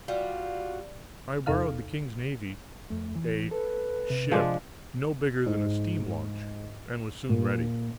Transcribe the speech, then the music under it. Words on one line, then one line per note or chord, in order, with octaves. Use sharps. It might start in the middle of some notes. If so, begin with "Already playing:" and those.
I borrowed the king's navy--a "ship" no bigger than a steam launch--and was soon ready.
G3 F4 F#4
E2 C3 D#4 A4 F5 F6
F2 A3
E3
A4 B4
C3
F3 G#3 D4
G#2
A#2